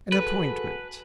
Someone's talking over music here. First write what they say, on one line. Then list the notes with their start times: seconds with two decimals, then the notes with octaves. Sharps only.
"An appointment."
0.12 F#4 G#4 A4 B4